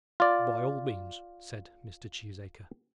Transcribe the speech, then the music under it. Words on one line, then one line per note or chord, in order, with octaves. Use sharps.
"By all means," said Mr. Cheesacre.
F4 D5